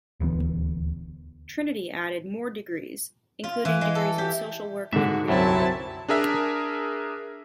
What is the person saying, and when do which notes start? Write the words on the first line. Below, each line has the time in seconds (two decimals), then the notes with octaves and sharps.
Trinity added more degrees, including degrees in Social Work and Pre-law.
0.20 D#1 D2 E3 B3
3.44 F4
3.65 E3
3.81 G#3
3.95 A4
4.18 G4
4.93 G#2 D3 F#4 E5
5.28 C2 F#2 F#3 C4 E4 A5
6.09 D4 G#4 A#4 E5